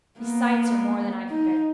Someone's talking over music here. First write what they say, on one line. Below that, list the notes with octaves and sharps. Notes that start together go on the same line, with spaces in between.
These sights are more than I can bear.
A#3 B3
D#4